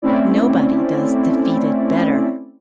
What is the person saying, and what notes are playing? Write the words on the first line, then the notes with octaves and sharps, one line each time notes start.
Nobody does defeated better.
A3 C4 C#4 E4 D5